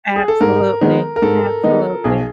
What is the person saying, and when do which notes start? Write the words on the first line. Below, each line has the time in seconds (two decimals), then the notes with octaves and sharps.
Absolutely, absolutely.
0.16 G#4
0.28 A4
0.41 G#2 A#4
0.81 D#3 G#3 B3 D#4
1.16 A#4
1.22 G#2 A4
1.63 D#3 G#3 B3 D#4
2.04 B1 G#4